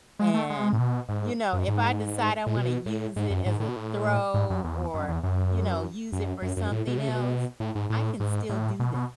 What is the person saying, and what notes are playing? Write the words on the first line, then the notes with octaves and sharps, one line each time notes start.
and, you know, if I decide I wanna use it as a throw, or, you know, use it for something else, I can still do that,
G#3
A3
G#3
A2
B2
G#2
F#2
G#2
A2
B2
A2
G#2
F#2
G#2
A2
B2
A2
G#2
F#2
E2
F#2
E2
F#2
F#2
F#2
F#2
A2
B2
C#3
B2
A2
G#2
A2
G#2
A2
B2
B2